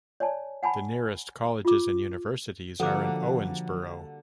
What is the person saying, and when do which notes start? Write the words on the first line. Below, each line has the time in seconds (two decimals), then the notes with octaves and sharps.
The nearest colleges and universities are in Owensboro.
0.20 C#5 D5 G#5 A5
0.63 F#5 G#5 A5 B5
1.65 F4 D6
2.80 D3 F3 G3 A#3 F#4 A4 F#5 D6